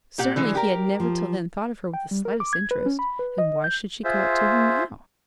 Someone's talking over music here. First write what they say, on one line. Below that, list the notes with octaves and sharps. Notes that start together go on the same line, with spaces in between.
Certainly he had never till then thought of her with the slightest interest, and why should she come up to him now?
A#2 G4 F#5
D3 E3 G#3
G4 A#4
F3
G5
G3
A#4
D6
G#6
B4
C#4
B5
B4
D#5
G6
F4 G#4 C5 E5